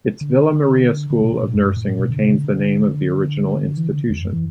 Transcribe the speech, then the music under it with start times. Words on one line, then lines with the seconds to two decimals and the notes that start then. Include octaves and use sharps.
Its "Villa Maria School of Nursing" retains the name of the original institution.
0.21 D3
1.10 D3
1.22 B2
1.32 B2
1.43 A2
1.55 F#2
1.66 G2
1.77 A2
1.89 A2
1.99 B2
2.10 D3
2.22 C3
2.32 D3
2.88 D3
3.77 E3
3.88 D3
4.10 E2
4.21 F#2
4.33 E3